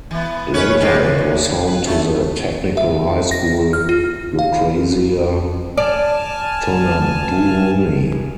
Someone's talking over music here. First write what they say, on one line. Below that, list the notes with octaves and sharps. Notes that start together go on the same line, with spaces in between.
Later, it was home to the Technical High School Lucrezia Tornabuoni.
E3 B3
C#4 B4 C#5
F3 G3 G#3
E2
B4
F#2 A3
E5
A#6
F6
F4
F5
D5 G#5 A5 F6